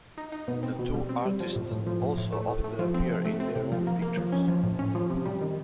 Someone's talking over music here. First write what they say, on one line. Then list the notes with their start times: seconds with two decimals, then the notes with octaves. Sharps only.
The two artists also often appear in their own "pictures".
0.18 D#4
0.32 D#4
0.48 B2
0.63 C4
0.79 B2
0.94 G3
1.09 C4
1.25 G3
1.40 F3
1.56 A2
1.71 A2
1.87 F3
2.01 A2
2.17 A2
2.32 A3
2.48 A2
2.64 A3
2.79 F3
2.94 C4
3.10 C3
3.25 A3
3.40 C4
3.56 C3
3.72 F3
3.87 A#3
4.02 A#3
4.17 F3
4.32 C#4
4.48 F3
4.63 A2
4.79 C#4
4.95 F3
5.10 C3
5.25 G3
5.41 D#3